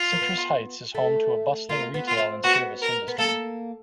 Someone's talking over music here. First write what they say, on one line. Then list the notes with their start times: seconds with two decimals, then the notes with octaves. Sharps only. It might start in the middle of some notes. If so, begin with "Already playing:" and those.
Citrus Heights is home to a bustling retail and service industry.
Already playing: F4
0.12 A#3
0.21 B3
0.95 A3
1.69 A#3 F4
1.94 B3
2.07 F4
2.19 C4
2.43 B3 F#4
2.82 A#4
3.08 B3
3.18 A#3 A4